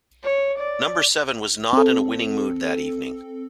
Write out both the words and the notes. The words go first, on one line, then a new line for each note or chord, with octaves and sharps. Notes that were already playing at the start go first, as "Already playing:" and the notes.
Number seven was not in a winning mood that evening.
C#5
D5
C4 A4